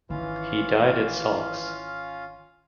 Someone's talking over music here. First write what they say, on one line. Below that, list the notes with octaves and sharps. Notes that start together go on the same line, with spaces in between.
He died at Saulx.
G#1 D#3 E3 C#4 F4 F5